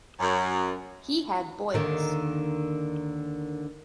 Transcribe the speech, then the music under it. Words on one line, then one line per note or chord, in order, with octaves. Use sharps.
He had boils.
F#2
D#2 D3 D#3